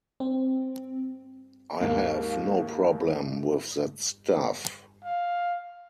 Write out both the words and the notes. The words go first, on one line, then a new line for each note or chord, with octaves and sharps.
I have no problem with that stuff.
C4
D#2 G#2 A#3 F5
F5